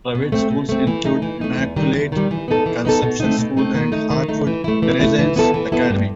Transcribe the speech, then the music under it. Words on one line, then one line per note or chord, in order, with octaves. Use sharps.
Private schools include Immaculate Conception School and Heartwood Renaissance Academy.
B2
A3 C4
B2
A3 C4
E3
A3 D#4
E3
A3 D#4
E2
D#3 G3
E2
D#3 G3
E3
B3 D#4 A4
E3
B3 D#4 A4
B2
A3 C4 D#4
B2
A3 C4 D#4
D#3
A3 D#4
D#3
A3 D#4
E3
A3 E4
E3
A3 E4
E3
B3 E4 A4
E3
B3 E4 A4
G2